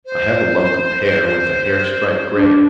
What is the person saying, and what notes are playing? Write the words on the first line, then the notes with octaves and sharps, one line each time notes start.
I have a lovely pair with a hair stripe, grey.
C5
D4